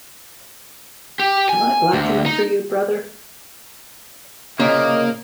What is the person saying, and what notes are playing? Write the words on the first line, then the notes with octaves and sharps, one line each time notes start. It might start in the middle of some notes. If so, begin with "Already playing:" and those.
Am I black enough for you, brother?
G4
G#5
D2
D#4
C2 A#2 C#3 A#3 D#5